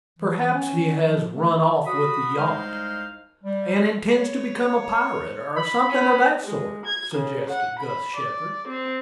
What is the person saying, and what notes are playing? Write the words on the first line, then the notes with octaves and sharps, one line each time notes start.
"Perhaps he has run off with the yacht, and intends to become a pirate, or something of that sort," suggested Gus Shepard.
E3
C#4
F3
A3
F#4 B5 D#6
C2 G#3 D#4 C5 F5 F6
G3
C#5
B5
C#4
G#3
G#6
C#3
F#5
B5
D5
C4